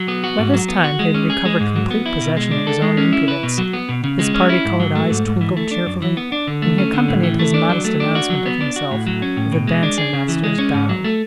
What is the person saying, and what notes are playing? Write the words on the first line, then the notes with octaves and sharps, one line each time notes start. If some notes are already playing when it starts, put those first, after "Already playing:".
By this time he had recovered complete possession of his own impudence; his party-colored eyes twinkled cheerfully, and he accompanied his modest announcement of himself with a dancing-master's bow.
Already playing: F#3
B3
F#4
G#2
F#3
B3
F#4
G#3
C#4
G#4
G#3
G#2
F#3
B3
E4
B2
G#3
D4
A4
G#3
C#4
E4
B4
B2
F#3
B3
B2
C#3
G#3
C#4
E4
G#2
F#3
A3
G#2
G#2
E3
A3
D4
F#2
E3
B3
D4
D3
A3
C#4
D3
A2
E3
A3
D4
F#3
A3
D4
F#4
F#3
B3
D4
F#4
A2
F#3
C#4
A2
B2
G#3
D4
G#4
C#3
E3
G#3
C#4
G#2
F#3
A3